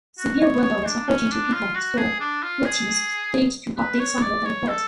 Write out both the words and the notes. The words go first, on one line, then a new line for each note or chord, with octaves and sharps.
Severe weather was approaching Topeka, so Kurtis stayed to update some weather reports.
F#4
C#5
C#5
D4
C#4
D4
F4
F#4
G#4
D4
F4
G#4
B4
C#5
D5
C#5
A4